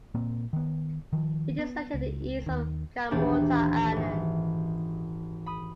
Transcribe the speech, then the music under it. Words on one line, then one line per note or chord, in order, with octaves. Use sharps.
It is located east of Kamorta island.
A#2 A#3 C4
D#3 B3
D#3 F3
B3
C#2
D#2 D#3
A#1 D#2 E3 A#3 D4 G4
G#1 E3
B5 D#6